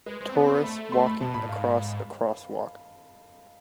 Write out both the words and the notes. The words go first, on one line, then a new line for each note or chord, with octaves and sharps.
Tourists walking across a crosswalk.
G#3 B4
G#3 C5
C4
B3 D5
C4
C6
B3
A3 B5
C6
B5
B2 A5
A2 B5
G#2 F5